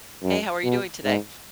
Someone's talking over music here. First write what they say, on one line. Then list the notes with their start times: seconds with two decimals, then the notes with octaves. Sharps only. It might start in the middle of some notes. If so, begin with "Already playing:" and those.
Hey, how are you doing today?
0.23 F#2
0.64 B2
1.04 G#2